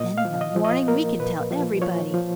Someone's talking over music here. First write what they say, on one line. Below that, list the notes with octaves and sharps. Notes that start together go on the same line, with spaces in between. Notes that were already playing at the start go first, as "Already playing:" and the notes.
"Then in the morning we can tell everybody."
Already playing: A#2 D#5
F5
F3
D#5
F3
D#5
A#3 A#4
A#2 B4
F3
F3 C#5
F3